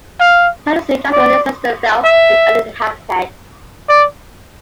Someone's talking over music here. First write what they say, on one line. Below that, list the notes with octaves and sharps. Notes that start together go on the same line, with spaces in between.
The town is named after Leicester Phelps, an early inhabitant.
F5
D5
E5
D5